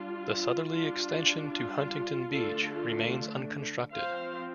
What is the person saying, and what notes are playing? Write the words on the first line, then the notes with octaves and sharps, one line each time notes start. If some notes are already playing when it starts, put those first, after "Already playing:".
The southerly extension to Huntington Beach remains unconstructed.
Already playing: G3 D4 F4
G3 D4 F4
F4
D3 A3 D4 F4 A4
F4 A4
F3 C4 C5 F5